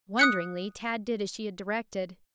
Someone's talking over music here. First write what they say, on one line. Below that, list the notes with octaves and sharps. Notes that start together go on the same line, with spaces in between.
Wonderingly, Tad did as she had directed.
D#6 F#6 C#7